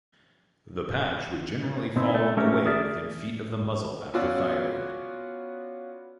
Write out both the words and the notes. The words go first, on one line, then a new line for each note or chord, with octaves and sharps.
The patch would generally fall away within feet of the muzzle after firing.
B2 C4 D#4 E4
A3
A3 C#4 G4 A#4
G#4 A#4 D5 E5
B3 C#4 F4 F#4 D5 E6